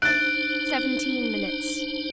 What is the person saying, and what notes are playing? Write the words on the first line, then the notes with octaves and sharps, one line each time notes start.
Seventeen minutes.
D4 D#4 C5 F#6 A6 D7